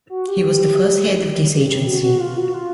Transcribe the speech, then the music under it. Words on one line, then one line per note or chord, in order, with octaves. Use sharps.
He was the first head of this agency.
F#4
G4
F#4
F#4
F4
F#4
F4